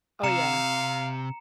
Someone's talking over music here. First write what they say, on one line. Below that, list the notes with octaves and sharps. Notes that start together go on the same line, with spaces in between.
Oh, yeah.
C3 F5 A#5 C#7 E7